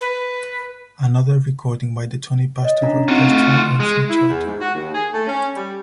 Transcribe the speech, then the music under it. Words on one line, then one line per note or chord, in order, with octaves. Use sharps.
Another recording by the Tony Pastor orchestra also charted.
B4
C#5 D#5
C#4 D4 A#5
C4 D#4 F4 F#4 F5
A3
C6 F6
G#3
E4
E2
G#2
F#4
D#2
G#4
A3
C#4
G3